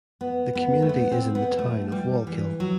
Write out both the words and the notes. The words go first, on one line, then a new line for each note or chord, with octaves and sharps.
The community is in the Town of Wallkill.
B3
B3
A3
B3
C4
B3
A3
G3
E3
F#3